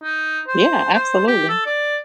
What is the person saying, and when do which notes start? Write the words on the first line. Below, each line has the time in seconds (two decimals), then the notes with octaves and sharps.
Yeah, absolutely.
0.03 D#4
0.47 C5
0.94 C5
1.28 G4
1.49 A4
1.66 D5